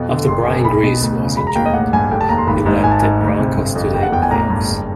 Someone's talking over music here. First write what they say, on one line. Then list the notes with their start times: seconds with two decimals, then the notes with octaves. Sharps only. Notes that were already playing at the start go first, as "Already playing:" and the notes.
After Brian Griese was injured, he led the Broncos to the playoffs.
Already playing: F2 B2
0.09 D3
0.27 F#1 C6
0.45 F#2
0.65 B1 B5
0.83 B2
1.01 D2
1.20 C#3
1.37 E1 B5
1.47 A#5
1.55 D#2 G5
1.66 D#5
1.74 A1 F#5
1.93 G2 G#5
2.11 F1 G5
2.21 A5
2.29 D#2 A#5
2.38 C6
2.47 G#1 B5
2.66 G#2
2.84 G#1 G#5
2.91 A5
3.00 G#2 G#5
3.21 D2
3.40 C3
3.57 G1
3.75 F2
3.94 F#1 G5
4.03 F#5
4.12 E2 G5
4.22 G#5
4.30 A1 A#5
4.50 G2
4.67 F#1